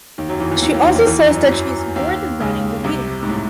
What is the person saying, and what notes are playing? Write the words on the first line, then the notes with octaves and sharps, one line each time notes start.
She also says that she is bored of running the reading room.
D#2 D#3
F#2 F#3
E2 E3
E2 E3
D#2 D#3
D#2 D#3
D#2 D#3
D#2 D#3
E2 E3
F#2 F#3
E3
F#2 F#3
D#2 D#3
C#2 C#3
C2 C3
G#2
A2